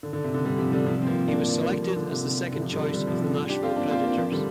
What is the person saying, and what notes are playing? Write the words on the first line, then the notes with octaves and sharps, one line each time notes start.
He was selected as the second choice of the Nashville Predators.
D3
D3
C3
D3
D3 G3
C3 F3
D3 G3
C3 F3
C4
F3 A#3
A#3 D4
F3 A#3
D3 G3
F3 A#3
D3
C3
D3
C3
D3
C3 F3
D3 G3
D3 G3
C3 F3
D3 G3
D4 G4
C4 F4
A#3 D4
C4 F4
A#3 D4
F3 A#3
D3 G3